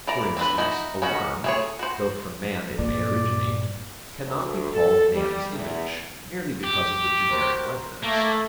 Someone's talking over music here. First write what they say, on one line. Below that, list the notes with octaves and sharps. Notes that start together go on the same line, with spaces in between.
For instance, a worm, though from man it may originate, cannot be called man's image, merely because of the generic likeness.
E3 D5 A#5
C4 D4 B4
D#4 E4 F#4
C#4 D#4 F#4
A3 G#4 C#5
F#4 C5
G2 A#2 D5
D2
A4
G3
E2
G4
F#4 A#4 C5
A3 A#3